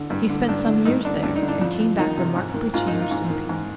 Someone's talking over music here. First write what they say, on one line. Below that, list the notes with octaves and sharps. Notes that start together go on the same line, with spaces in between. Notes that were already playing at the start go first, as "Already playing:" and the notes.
He spent some years there and came back remarkably changed in appearance.
Already playing: D3
G2
D3
G2 D4
D3
G2 D#4
D3 D4
G2 D4
D#4
D3
D4
F2
F2
D#3 D#4
C3
G#2
D#3
G#2 F4
D#4
D#3
F4
G#2
D#3
G#2